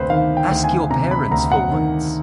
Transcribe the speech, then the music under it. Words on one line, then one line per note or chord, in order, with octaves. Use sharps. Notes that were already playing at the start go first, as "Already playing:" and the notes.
Ask your parents for once!
Already playing: D2 C3 B4 C5
D#3 F5
G5
D2
G#5
C3 A#5
B5
D2 A#5
F#5
D#3